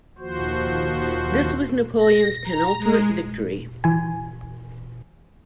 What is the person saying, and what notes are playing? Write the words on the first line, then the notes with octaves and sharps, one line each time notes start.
This was Napoleon's penultimate victory.
D#2 F3 F#4 C5
A#6
A#5
G#3
E3 G#5